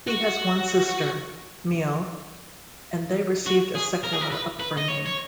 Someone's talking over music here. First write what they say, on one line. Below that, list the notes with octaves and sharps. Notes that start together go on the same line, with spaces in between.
He has one sister, Miel, and they received a secular upbringing.
F#4
F#4
G#4
A#4
G#4
A#4
B4
B4
D#5
C#5
C#5